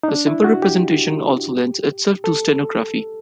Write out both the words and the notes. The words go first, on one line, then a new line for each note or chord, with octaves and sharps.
The simple representation also lends itself to steganography.
D#4
D4
E4
F#4
G4
A4